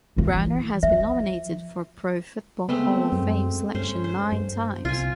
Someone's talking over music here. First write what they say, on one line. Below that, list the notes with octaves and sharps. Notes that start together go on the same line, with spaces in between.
Browner has been nominated for Pro Football Hall of Fame selection nine times.
G2 E3
F3 E5
G#3 A3 B3 C4
F#2
G2 C#4 C5
C5
G2
C2 F4 G#5